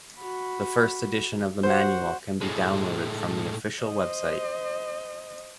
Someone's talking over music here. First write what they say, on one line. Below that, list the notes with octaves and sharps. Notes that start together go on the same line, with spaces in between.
The first edition of the manual can be downloaded from the official website.
F#4 B5
F#4 C5 F#5
A2 G#3
C5 D#5